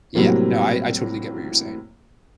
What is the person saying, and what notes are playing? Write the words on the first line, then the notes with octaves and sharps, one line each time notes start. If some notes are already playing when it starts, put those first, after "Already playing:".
Yeah, no, I I totally get what you're saying.
A2 C3 F#3 G3 A#3 C4